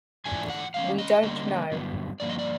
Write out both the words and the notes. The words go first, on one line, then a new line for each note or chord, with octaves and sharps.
We don't know.
G#2 E3 A3 D4 F4 G#5
F#5
D#3 G#3 C#4 F5
D#5
D3 G3 A#3 C#4
G2 D3 F#3 B3
G2 D3 F3 A#3 D5
D#5
D5